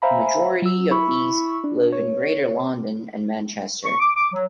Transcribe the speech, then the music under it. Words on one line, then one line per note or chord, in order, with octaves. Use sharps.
The majority of these live in Greater London and Manchester.
C5 E5 F5 G#5 A#5 B5
F#3 E6
E4 B5 C#6 E6
D4
C#5
C#6
D6
D6
F#3